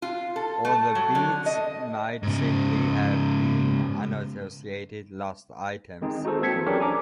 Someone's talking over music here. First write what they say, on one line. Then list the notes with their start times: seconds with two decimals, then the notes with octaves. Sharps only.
Or the beads might simply have been unassociated lost items.
0.02 F4
0.36 A4
0.65 A3
0.95 F#3
1.15 D3
1.46 D#5
2.23 G#2 C#3
6.01 D#3 G#3 C4 D#4 G#4
6.24 D#4 F#4 G#4 A4 C5
6.42 A#3 C4 A4 G#6 B6 C#7
6.54 E3 F#3
6.67 C#4 D4 G4 G#4 A#4 C#5
6.80 G#5 A#5 D6